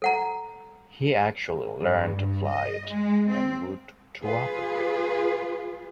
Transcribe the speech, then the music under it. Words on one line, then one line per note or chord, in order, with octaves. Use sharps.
He actually learned to fly it en route to Africa.
A4 F#5 A#5
G2
G2
D#5
G#3
C4
F4 G#4 B4